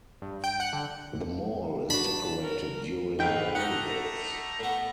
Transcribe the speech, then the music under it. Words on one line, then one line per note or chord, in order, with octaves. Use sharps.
The mall is decorated during the holidays.
G2
G5
F#5
D3
D4 F#4 A5 B5
A#4
B1 G#2 A3 D#4 B4 F5 G5
G3 A3 D#4 D#5 F#5 A#5
A2 B3